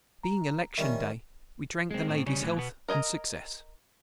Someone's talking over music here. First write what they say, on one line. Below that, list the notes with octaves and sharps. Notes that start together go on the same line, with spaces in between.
Being election day we drank the Ladies health and success.
A#5
D#3 G3 C#4 E5
G#3 C4
A2 C4
C#3 G3 C#4
A2 E3
B2 B3
A#4 D#5 G#5 A#5